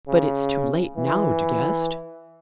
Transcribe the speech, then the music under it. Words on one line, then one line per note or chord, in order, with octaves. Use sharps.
"But it's too late now, De Guest."
C#3
E3